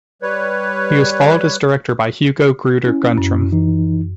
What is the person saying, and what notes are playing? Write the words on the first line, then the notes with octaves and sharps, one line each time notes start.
He was followed as Director by Hugo Gruder-Guntram.
G3 B4 C#5
C#4 E4
F#2
E3 D#4